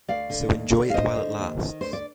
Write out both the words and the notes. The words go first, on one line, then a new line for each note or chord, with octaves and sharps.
So enjoy it while it lasts.
D2 D5 F5
D3
D#2
D3
F5
G2 C5 D#5
D3
D#2
D#3
D2 C5
D5